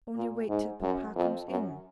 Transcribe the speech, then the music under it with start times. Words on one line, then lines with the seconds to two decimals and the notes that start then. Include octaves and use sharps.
'Only wait till papa comes in.
0.16 A#2
0.49 G#2
0.82 F#2
1.15 F2
1.48 F#2